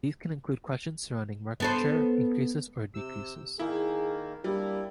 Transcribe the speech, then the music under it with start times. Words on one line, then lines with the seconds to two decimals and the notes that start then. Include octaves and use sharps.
These can include questions surrounding market share increases or decreases.
1.60 B3 A4 C5
2.94 C3 E6
3.59 D#3 A#3 E4 G#4
4.44 G3 A#3 D4 E4 G4